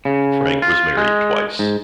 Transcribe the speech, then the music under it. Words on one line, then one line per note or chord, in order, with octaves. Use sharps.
Frank was married twice.
C#3
F4
G#3
G#2